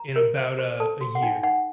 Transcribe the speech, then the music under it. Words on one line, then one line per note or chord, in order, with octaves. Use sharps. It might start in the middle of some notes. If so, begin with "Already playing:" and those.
in about a a year.
Already playing: A#5
A#4
C5
C5
A4 A5
F#4
F#5
D#4 G5
D#4 F#5